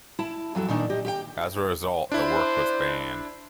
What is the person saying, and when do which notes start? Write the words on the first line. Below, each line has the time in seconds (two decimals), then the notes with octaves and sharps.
As a result the work was banned.
0.19 E4 A5
0.55 F2 F#3 E4 A4
0.68 A#2 D#3 D4
0.90 G4 D#5
1.05 G4 E5 G5
2.12 D4 E4 C5